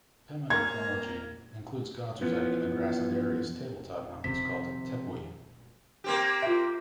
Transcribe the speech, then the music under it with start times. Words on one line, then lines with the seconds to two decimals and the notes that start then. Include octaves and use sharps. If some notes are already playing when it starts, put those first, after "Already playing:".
Pemon mythology includes gods residing in the grassland area's table-top mountains called "tepui".
0.50 A#3 A#5 G#6
2.21 E3 F3 B3
4.24 C3 D#3 F3 B6
6.04 A#3 C4 G4
6.42 F4 E5